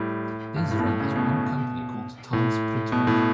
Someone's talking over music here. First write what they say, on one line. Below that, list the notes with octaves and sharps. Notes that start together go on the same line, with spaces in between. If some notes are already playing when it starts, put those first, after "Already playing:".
These run as one company called "TimesPrintpak".
Already playing: A2 G3
G2
A2
B2
A2
C#3
B2
A2
B2
A2